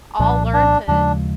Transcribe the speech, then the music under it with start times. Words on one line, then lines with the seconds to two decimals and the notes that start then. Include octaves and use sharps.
all learn to,
0.19 C2 A#2 F3 D4
0.53 D4
0.88 D#2 C#3 F3 G#3 D4